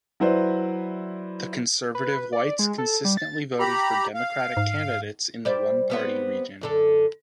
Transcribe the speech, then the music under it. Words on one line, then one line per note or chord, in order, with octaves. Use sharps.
The conservative whites consistently voted for Democratic candidates in the one-party region.
F#3 E4 B4 C5 D5
B4
D5
G#3
A4
G3
A6
G4 A#5 B5
F5
G#2
G3 C5 D5
G3 B3 C4
F#2 D3 A4